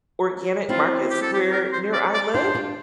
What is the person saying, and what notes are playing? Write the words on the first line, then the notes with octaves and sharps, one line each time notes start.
organic markets where near I live,
C4 E4 F4
G4
A4
G4
A#4
C5
D5
D5
D4 F4 C5
D4 F4